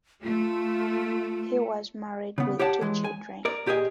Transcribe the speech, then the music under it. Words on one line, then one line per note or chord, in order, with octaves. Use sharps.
He was married with two children.
A3 F4
C#3 B3
G4 C#5 D5 F#5 A5
E3 G#3
G#5
A#4 D5
A#2 G4 G#4 D#5 G#5